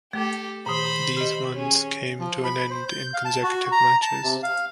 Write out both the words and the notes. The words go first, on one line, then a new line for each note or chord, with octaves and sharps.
These runs came to an end in consecutive matches.
A3 G4 A4
A#2 D#3 C5 B5
G4 D#5
C#4 G#4
F3
B5
C5
G6
F5
A5
F#4
A#5
A5
C3
F5